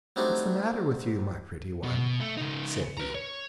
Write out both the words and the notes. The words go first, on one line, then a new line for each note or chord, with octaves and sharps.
"What's the matter with you, my pretty one?" said he.
F#3 G3 A3 C4 D4 D#4
B2
A3
C#3 D#4
B4 A#5
C#5